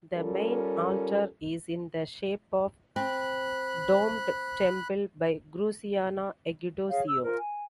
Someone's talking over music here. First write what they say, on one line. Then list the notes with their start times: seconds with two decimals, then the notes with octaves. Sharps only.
The main altar is in the shape of domed temple, by Cruciano Egiduzio.
0.16 G3 C#4 F4 G4 A4 A#4
2.96 C4 B5 F#6
6.88 G#4 C#5 F5
7.05 E6
7.21 F4 A#4 C5
7.37 G#5